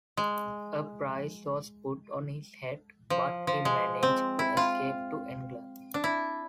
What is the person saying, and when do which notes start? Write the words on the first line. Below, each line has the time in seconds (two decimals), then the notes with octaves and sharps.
A price was put on his head, but he managed to escape to England.
0.17 G#3
3.10 F3
3.47 F3
3.65 G#3
4.03 C4
4.39 E4
4.57 F4
5.94 D4
6.04 E4